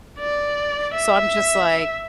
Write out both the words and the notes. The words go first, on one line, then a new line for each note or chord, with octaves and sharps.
So I'm just like
D5
E5